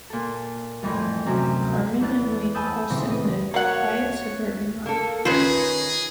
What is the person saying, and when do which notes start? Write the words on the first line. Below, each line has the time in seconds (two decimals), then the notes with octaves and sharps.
Carmen and Wayne Colson live a quiet, suburban life.
0.10 A#2 A4
0.82 F2 A2 E3 G3
1.26 F#2 C3 C4
2.00 E2 F#6 A6
2.55 G#5 A5 B5 D#6 E6 G6
2.90 A#2 C#3 E3 G3 C4
3.10 B4 D#5
3.54 A#3 F#4 C#5 F5 F#5 F#6
4.86 A#3 A4
5.25 D#3 C#4 D#4 F4 G#4 B4 C5